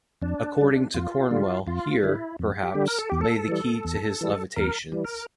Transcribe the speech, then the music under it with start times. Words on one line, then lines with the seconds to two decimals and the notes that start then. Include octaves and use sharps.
According to Cornwell Here, perhaps, lay the key to his levitations.
0.22 F2 D4
0.58 D3 G3
0.94 F2 F4
1.31 D3 G3
1.67 F2 F4
2.03 D3 G3 E4
2.39 F2
2.63 G4
2.75 D3 G3
2.88 A#4
2.98 A4
3.10 E2 G4
3.21 A4
3.48 E3 G3
3.85 E2
4.21 E3 G3
4.56 E2 A#4
4.92 E3 G3
5.05 A#4